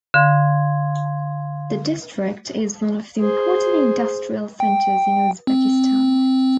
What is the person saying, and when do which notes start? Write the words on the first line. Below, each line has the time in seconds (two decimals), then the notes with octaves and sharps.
The district is one of the important industrial centers in Uzbekistan.
0.14 D3 F5 C6 G#6
3.19 G#4 C5
4.60 G5
5.47 C4